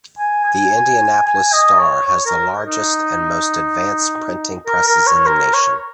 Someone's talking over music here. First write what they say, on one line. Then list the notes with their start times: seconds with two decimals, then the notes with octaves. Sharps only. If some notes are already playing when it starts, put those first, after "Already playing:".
The "Indianapolis Star" has the largest and most advanced printing presses in the nation.
0.18 G#5
0.45 G#5
1.26 G#5
1.53 D#5
1.79 C#5
2.06 C#5
2.26 A#4
2.66 D#4
4.66 A#4
4.87 A#4
5.06 C#5
5.26 A#4
5.53 C#5